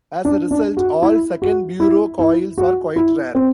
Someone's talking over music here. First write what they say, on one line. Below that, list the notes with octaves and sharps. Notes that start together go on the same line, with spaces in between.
As a result, all Second Bureau coils are quite rare.
D4
D4
F#4
E4
F#4
E4
E4
F#4
E4
C4